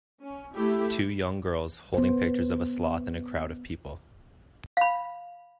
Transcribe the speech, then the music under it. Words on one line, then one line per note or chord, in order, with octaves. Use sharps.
Two young girls holding pictures of a sloth in a crowd of people.
C#4
A3 E4 G4
B3 C5
F5 B5